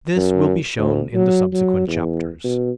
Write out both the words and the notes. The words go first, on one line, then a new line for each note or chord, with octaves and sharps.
This will be shown in the subsequent chapters.
F#2
D2
F#3
F#3
E2
B2